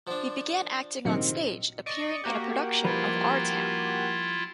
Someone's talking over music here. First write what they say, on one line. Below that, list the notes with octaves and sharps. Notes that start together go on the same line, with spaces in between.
He began acting on stage, appearing in a production of "Our Town".
F3 D4
A#1 C3 D#3 F#3 C4 D#5 C#7
D5 D#5 C#6
A#3 F#4 G4
F3 G3 E4 F4 B4